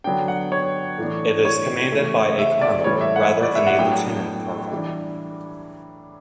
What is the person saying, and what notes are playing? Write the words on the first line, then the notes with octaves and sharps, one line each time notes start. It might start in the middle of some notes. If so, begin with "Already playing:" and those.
It is commanded by a colonel, rather than a lieutenant colonel.
D3 F#3 B3 D4 G5
F#5
C#5
A2 E3 B3 D4
C#5
C#3 E3 A3 C#4
E5
D5
A2 E3 G3 C#5
E5
F#5
D5
E5
F#5
A2 F#3 B3 D4 G5
E3 G3 D4